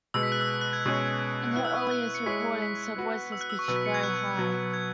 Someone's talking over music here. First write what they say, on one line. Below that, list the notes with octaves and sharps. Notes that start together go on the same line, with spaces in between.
In her earliest recordings her voice was pitched very high.
B2 G#3 B3 E6
B6
F#6
E6
F#6
F#6
G#6
B2 G#3 C#4 G#4 C#5
B3 E4 B4 F#6
E6
C#6
E6
F#6
C#7
G#3 E4 G#4 C#5 B6
B6
B3 F#4 B4
E6
F#6
E6
C#6
B2 F#3 B3 E6
B6
C#7
G#6
F#6
B2 F#3 B3
G#6